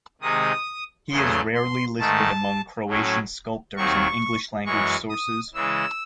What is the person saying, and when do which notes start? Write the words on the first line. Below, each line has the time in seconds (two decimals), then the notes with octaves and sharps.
He is rarely listed among Croatian sculptors in English-language sources.
0.21 C3 D#3 G#3 D#4 D#6
1.09 E2 C#3 F#3 A3 C6
1.54 C6
1.99 G#2 D#3 A3 A5
2.87 A2 F#3 C#4
3.76 D#2 D#3 F#3 C4 C#6
4.65 F#2 E3 G#3 C#6
5.09 D#6
5.54 C#3 E3 G#3 E6